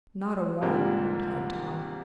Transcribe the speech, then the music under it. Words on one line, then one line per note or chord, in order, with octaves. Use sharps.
"Not a one," replied Tom.
G#2 C3 F3 G3 G#3 A#3